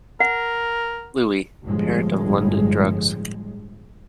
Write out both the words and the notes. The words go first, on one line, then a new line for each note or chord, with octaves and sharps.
Louie, parent of London Drugs.
A#4 F#5
G1 A2 F3 G3 G#3